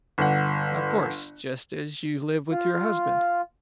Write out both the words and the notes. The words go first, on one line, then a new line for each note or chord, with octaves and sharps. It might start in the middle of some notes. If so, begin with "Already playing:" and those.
"Of course--just as you live with your husband."
G1 F#5
F4